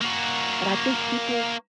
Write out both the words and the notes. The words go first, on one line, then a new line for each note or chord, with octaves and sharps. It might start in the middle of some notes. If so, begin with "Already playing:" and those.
But I think people
A#3 F#4